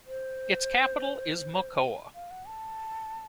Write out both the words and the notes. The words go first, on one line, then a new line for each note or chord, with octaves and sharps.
Its capital is Mocoa.
C5
F5
F#5
A5